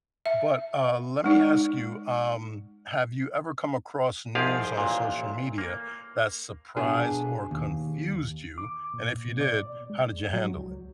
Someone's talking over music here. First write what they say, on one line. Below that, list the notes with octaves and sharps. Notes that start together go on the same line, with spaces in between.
But, uh, let me ask you, um, have you ever come across news on social media that surprised or confused you, and if you did, how did you handle it?
E5
G#3 D#4 D5
C2 G#2 F3 G4 G#4 F5
A1 A#2
A#3
B2 B3 D4 G#4
D#2
D6
A#2
B2
D5
G#3
F#3
C#2